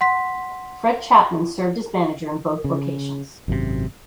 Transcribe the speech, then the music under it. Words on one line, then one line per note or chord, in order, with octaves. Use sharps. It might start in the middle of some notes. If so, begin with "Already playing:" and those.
Fred Chapman served as manager in both locations.
F#5 C6 B6
C#3
G#1 F#2 A2 C3